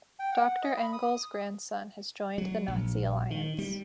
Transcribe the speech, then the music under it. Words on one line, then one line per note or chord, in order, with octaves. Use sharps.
Doctor Engel's grandson has joined the Nazi Alliance.
G5
F#5
D#5
B5
D#6
F#3
A#1
D#3
G3